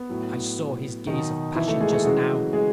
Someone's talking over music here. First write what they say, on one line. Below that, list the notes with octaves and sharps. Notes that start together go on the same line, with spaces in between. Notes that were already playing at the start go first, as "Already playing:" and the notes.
I saw his gaze of passion just now.
Already playing: B3
A2 F#3
B2 D#3 F#3 D#4
E3 E4
A3 A4
G#3 G#4
A3 A4
C#3 E3 F#3 G#3 F#4
G#3 G#4